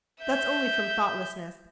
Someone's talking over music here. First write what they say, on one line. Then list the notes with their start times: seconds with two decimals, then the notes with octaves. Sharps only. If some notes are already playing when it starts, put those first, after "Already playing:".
That's only from thoughtlessness.
0.22 E5 G6